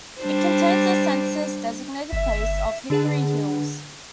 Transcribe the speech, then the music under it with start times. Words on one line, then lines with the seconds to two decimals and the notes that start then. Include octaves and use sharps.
It contains the census-designated place of Hickory Hills.
0.21 G3 D4 C5
2.13 G1 E5
2.90 D3 D4 G#4 B4 F#5